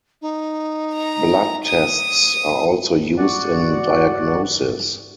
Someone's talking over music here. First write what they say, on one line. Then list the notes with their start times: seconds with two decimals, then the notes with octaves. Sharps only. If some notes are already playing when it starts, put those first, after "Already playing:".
Blood tests are also used in diagnosis.
0.21 D#4
0.94 A#5
1.65 D#6
3.17 F#4 D5 F#5